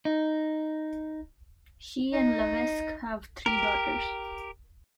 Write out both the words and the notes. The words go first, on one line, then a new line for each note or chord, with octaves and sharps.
She and Levesque have three daughters.
D#4
D#4
G4 A#4